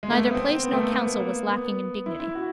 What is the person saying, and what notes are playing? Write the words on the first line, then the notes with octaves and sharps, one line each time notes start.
Neither place nor council was lacking in dignity.
G#3
A3
A#3
B3
C4
C4
B3
A3
A#3
B3
A#3
A#3
B3
E4
E4
F#4